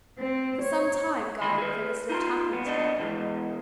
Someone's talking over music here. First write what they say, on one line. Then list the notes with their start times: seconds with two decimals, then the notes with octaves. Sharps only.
For some time Guy and Phyllis lived happily together.
0.18 C4
0.62 C#5
1.41 D2 A#2 D#3 B5 C6
1.58 G#4 B4
2.10 D#4 F4 A#5 C6
2.48 A#2 B3
2.65 B3 D4 C#5 D#5
2.99 B2 E3 G#3